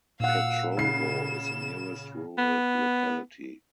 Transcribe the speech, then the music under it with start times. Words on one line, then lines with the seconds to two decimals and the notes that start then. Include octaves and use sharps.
Petrovo is the nearest rural locality.
0.20 A#2 F5 F#5 E6
0.77 C#3 C7 E7
2.38 B3